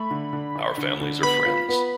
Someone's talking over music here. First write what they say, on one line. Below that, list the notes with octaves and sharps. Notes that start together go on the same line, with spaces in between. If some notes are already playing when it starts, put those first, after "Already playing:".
Our families are friends.
Already playing: A3 B5
D3
D3
D4
D3
D3
B3 B5
F4
B3